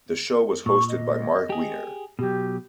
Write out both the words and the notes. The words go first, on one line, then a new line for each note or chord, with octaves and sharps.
The show was hosted by Marc Weiner.
A#2 C#6
D#5
G4 G#4
B2 F#3 G4